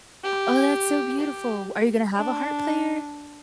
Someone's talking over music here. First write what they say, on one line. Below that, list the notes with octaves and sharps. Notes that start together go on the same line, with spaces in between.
Oh, that's so beautiful. Are you gonna have a harp player?
G4
G4
D4